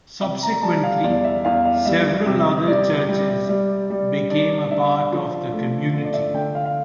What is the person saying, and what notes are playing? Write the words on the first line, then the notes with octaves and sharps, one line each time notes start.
Subsequently, several other churches became a part of the community.
C3 E5
A#5
G3 A5
F5
E2 D5
E5
E2 F5
F5
G3 E5
C3
G3 D5
G3
G3
G3
D4 D5
D4 E5
F3
A3
D3
D5
E5
D3 G5
F5
F5